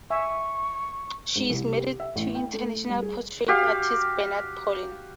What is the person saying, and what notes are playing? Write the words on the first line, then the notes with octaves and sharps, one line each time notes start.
She is married to international portrait artist Bernard Poulin.
E5 G#5 C#6
G#2
C2
G4
E5
A1
G5
A3
G3
G#4
F#4 G4 F5